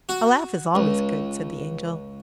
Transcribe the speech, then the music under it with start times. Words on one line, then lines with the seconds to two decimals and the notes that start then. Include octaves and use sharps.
"A laugh is always good," said the Angel.
0.09 F#4
0.75 C#2